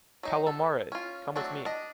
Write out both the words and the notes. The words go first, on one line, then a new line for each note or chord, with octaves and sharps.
Palomares, come with me.
F#3 D#4
A4
C#4 F4
F#3 A3 C4 D4 F#4
D4 D#5